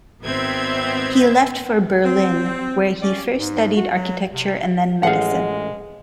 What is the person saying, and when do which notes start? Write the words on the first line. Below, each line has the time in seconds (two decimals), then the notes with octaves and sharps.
He left for Berlin, where he first studied architecture and then medicine.
0.24 G#1 B3 C4 E5 G#6
2.04 C4
3.01 C#4 G4 D5
3.33 G#2
3.76 F#4
3.94 F#3
4.32 C3
5.03 A1 G#3 G#4 F5 F#5